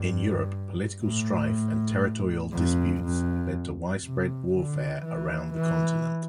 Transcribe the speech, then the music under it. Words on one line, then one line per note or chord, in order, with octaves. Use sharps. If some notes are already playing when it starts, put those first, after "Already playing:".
In Europe, political strife and territorial disputes led to widespread warfare around the continent.
Already playing: G2
A2
F2
F2
C3
D3
E3
E3